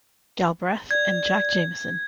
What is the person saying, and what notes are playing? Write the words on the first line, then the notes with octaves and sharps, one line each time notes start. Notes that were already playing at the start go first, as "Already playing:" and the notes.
Galbreath and Jack Jamison.
D5 G#6